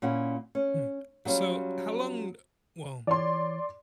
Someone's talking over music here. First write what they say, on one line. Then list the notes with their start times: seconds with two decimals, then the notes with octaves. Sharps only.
Mm. So how long well,
0.02 A#2 C#4 E4 F#5
0.55 C#4
1.25 F#3 G3 C#4 F4
3.07 E3 C#5 D5 C6